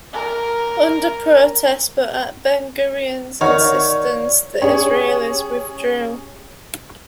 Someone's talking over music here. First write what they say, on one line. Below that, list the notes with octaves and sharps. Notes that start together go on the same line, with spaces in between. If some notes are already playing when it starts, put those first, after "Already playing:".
Under protest but at Ben-Gurion's insistence, the Israelis withdrew.
A#4
D#3 F#4 C#5 D5 F5
C#4 G4 G#4 C#5 G5